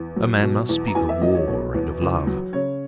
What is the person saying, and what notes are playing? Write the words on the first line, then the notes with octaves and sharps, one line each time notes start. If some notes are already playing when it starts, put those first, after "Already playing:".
A man must speak of war and of love.
Already playing: E2
F#3
B2
E2
A#5
E2 G#5
E5
F#3 D#5
C#5
B2 C#5
E2
C#2
F#3
C#3 C#5